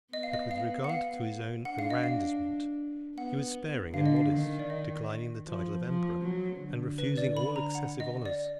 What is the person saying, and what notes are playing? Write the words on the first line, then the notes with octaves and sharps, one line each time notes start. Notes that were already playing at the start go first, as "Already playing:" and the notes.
But with regard to his own aggrandisement, he was sparing and modest, declining the title of emperor, and refusing all excessive honours.
B3 D#5
F5
D#5
F5
F#5
F5
D4 F#5
F5
D#5
F5
B3 F#5
D3 F5
D#5
F5
D#3
D5
D#5
F3
F3
F#3
D3
B4
D5
B5
A#5
F#5
D#5
D5